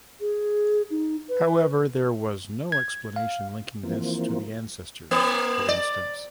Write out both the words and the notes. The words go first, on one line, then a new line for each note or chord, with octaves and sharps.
However, there was no explanation linking this to the ancestors, for instance.
G#4
D#4
B4
G#6
F5
E3 F3 A#3 C4
A#3
D5